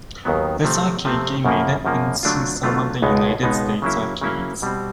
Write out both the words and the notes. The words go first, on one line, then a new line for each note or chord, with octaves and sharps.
This arcade game made it into some of the United States arcades.
D#2 D#3 F#3 B3
C3 F3 A3 C4
C3 F3 A3 C4
F#2 C#3 F3 A#3
F#2 C#3 F3 A#3
D3 F#3 A3 D4 F4
D3 F#3 A3 D4 F4
C#2 B2 G#3 B3 D#4
C#2 B2 G#3 B3 D#4
C#3 F#3 A#3 C#4 E4
C#3 F#3 A#3 C#4 E4
B2 G3 C4